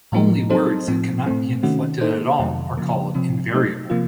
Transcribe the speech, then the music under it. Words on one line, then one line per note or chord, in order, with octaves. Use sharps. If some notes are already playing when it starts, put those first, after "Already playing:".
Only words that cannot be inflected at all are called "invariable".
A2 F3 A#3 D#4 A#4
F#3 C4 D#4 A4 C5
A2 F3 C4
A2 A3 C4
C3 D#3 A3 C#4 F#4
D#3 A#3 D#4 A4 C5
F2 C3 D#3 F#3 A3
C#3 F3 A#3
C3 F3 C4
F#3 A3 D#4
C3 F3 A#3 F4